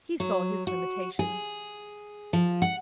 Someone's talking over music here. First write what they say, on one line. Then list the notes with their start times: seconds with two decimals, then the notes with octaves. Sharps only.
He saw his limitations.
0.20 F#3
0.67 F#4
1.19 G#4
2.33 F3
2.62 F#5